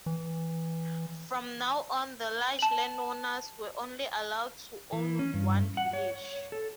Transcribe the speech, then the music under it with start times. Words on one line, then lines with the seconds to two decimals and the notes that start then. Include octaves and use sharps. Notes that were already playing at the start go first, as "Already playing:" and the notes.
From now on the large landowners were only allowed to own one village.
0.06 E3
2.59 A5 F#7
4.93 E3
5.19 C#4
5.34 G2
5.77 F#5
5.93 C#5
6.52 A4